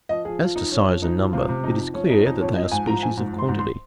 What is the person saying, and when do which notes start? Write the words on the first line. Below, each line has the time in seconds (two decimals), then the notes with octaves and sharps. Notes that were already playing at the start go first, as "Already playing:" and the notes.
As to size and number, it is clear that they are species of quantity.
0.09 F3 D#5
0.25 F3 G#4
0.41 F3 F4
0.56 F3 D#4
0.71 F3 C#4
0.86 F3
1.02 F3 D#4
1.18 F3
1.33 C3 F4
1.48 C3
1.64 F2 D#4
1.79 F2
1.94 F3 C#4
2.10 F2 D#4
2.19 C#4
2.26 F2 D#4
2.41 F2 C#5
2.56 F3 D#5
2.72 G#2 G#5
2.86 F3 A#5
3.02 F3 G#5
3.17 G#2
3.33 G#2
3.39 C6
3.49 G#2
3.59 C6